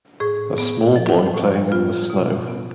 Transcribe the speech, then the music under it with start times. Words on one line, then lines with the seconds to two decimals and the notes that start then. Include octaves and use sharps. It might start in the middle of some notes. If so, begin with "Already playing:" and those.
A small boy playing in the snow.
0.20 A2 G#4
0.58 B3
0.96 F3
1.34 A2
1.72 B3 F4
2.10 B2
2.48 B3